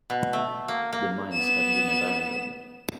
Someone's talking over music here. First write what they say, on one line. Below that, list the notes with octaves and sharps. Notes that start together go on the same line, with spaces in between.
The mines had to be abandoned.
B2
A3
A#3
A#3
B3 E7